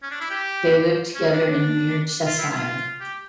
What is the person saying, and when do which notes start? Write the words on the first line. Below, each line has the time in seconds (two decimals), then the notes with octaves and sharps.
They live together in Mere, Cheshire.
0.02 C#4
0.11 D4
0.21 E4
0.30 G4
1.15 C#4
1.33 D4
1.52 D4
2.26 F4
2.39 E4
2.51 F4
3.01 G4